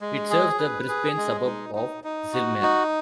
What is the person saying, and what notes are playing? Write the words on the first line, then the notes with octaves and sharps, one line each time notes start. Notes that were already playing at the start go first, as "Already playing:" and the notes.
It serves the Brisbane suburb of Zillmere.
G#3
G#4
B4
G#4
G#3
D#4
D#4
D#4
F#4
D#4